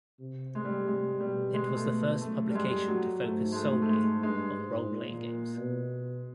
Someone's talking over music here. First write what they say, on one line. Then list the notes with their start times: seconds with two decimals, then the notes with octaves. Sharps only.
It was the first publication to focus solely on role-playing games.
0.20 C3
0.55 G#3
0.64 G3
0.86 C3 G#3
1.20 B2 G3
1.54 G#3
1.76 A3
2.21 F#2 A3
2.49 G3
2.55 G#3
2.88 F#3
3.22 G#2 A3
3.52 G#3
3.56 A3
3.82 A3
3.89 G#3
4.23 G2 G#3
4.57 G#2
4.91 A#2
5.58 B2